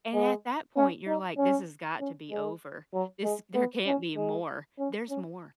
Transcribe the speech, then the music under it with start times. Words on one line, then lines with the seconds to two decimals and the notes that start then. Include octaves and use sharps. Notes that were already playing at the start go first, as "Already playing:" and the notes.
And at that point you're like, "This has got to be over. This there can't be more." There's more.
0.14 G#3
0.76 C#4
1.08 D#4
1.38 C#4
2.00 C#4
2.31 G#3
2.93 F#3
3.24 G#3
3.55 B3
3.86 C#4
4.17 G#3
4.79 C#4
5.09 C#4